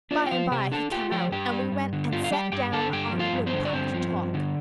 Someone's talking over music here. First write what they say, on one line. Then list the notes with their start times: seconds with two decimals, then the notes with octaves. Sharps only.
By and by he come out, and we went and set down on the woodpile to talk.
0.11 D4 F4 D5
0.26 G5
0.31 F3 F4 F5
0.51 C3 G4 G5
0.72 D4 A4 A5
0.91 F4 G4 G5
1.11 F3 G4 G5
1.32 G2 G4 G5
1.52 G3
1.72 G2
1.93 D3
2.12 G2 F4 F5
2.24 F5
2.31 G3 G4 G5
2.52 G2 G4 G5
2.72 D3 A4 A5
2.93 G2 G4 G5
3.12 F3
3.19 F4 F5
3.33 G2
3.46 C4 C5
3.53 D3
3.65 D5
3.73 G2 C4 C5
3.94 F3
4.13 G2
4.34 D3